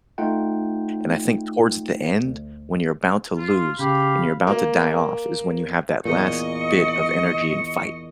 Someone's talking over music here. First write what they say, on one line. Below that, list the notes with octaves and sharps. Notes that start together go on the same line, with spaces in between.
and I think towards the end, when you're about to lose, and you're about to die off is when you have that last bit of energy and fight,
A3 D#4 F4 F#5 G5
D2
F4
C#3 G4 F5 B5
A#3
E2 A#2 D#5 C#6